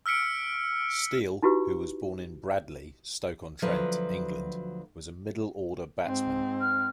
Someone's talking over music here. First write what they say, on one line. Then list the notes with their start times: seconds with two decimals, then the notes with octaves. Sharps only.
Steele, who was born in Bradeley, Stoke-on-Trent, England, was a middle-order batsman.
0.06 E6 F6 B6 C#7 D7
1.42 D#4 E4 F#4 G4 B4
3.62 D2 F3 F#3 B4
6.04 G#2 C4
6.61 F6